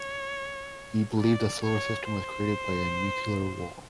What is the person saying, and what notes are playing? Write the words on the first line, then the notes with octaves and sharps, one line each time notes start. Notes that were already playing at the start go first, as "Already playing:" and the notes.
He believed that the solar system was created by a nuclear war.
Already playing: C#5
D5
C#5
C5